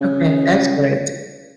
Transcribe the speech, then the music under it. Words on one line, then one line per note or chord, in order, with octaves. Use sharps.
Okay, that's great.
C#3